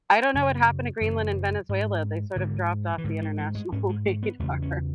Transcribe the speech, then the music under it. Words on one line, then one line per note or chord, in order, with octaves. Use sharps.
I don't know what happened to Greenland and Venezuela, they sort of dropped off the international radar.
F#2 C#3
F#2 C#3 E3
G#2
G#2 D3
E3
G#2 D3
E3
E3
G#3
G#2 C#4
G#3
A3
B3
E2 C#3 A3
C#4